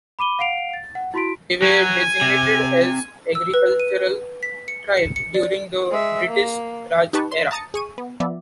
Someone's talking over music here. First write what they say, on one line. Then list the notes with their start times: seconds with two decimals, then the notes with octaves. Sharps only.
They were designated as an agricultural tribe during the British Raj era.
0.19 B5 D6 D#7 G7
0.39 F5 F#5 C7 D7 F7
0.73 A6
0.95 F#5
1.14 E4 F#4 C6 B6 D7
1.62 F#3 G#5
2.22 C3
3.35 E6
3.54 B4
3.80 D#7
4.43 B6
4.68 C#7
4.97 C#7
5.16 C#7
5.34 D5
5.91 G#3 E5
6.28 A#3
7.13 D#4 G4 B4 A5 C#6
7.32 C6
7.51 A5 A#5 D#6 A6 C#7
7.74 G#4 C#6 D#7
7.98 B3
8.20 F3 B3 D5 E5